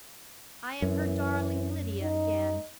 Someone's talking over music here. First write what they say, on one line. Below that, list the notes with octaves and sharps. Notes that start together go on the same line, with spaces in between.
I am her darling Lydia again!
F#2 E3
D#4